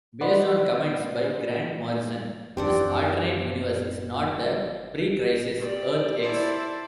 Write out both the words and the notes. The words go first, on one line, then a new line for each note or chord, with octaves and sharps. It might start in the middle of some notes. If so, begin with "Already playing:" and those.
Based on comments by Grant Morrison, this alternate universe is not the pre-Crisis Earth-X.
B4 D5 D#5 F#5 B5 C6
F#2 C4 D4 G4 F#5
G4 D5
E4 A4 C5 D5